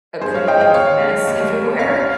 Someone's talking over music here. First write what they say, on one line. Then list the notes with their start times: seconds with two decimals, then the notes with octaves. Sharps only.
a pretty big mess everywhere,
0.21 G2 G#4 C5
0.34 C#5 F5
0.47 G#3 D#5 G5
0.60 D#5 G5
0.74 D#2 C#5 F5
1.00 G#3
1.27 D#2
1.53 G3
1.79 C2 C#5 F5
1.99 F5